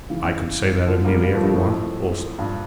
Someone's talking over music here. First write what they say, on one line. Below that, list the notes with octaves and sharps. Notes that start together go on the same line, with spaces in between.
"I could say that of nearly every one, also."
C#3 E3
D3 F3
G3 A#3
G3 A#3
F3 A3
G2 A#2
F2 A2
G2 A#2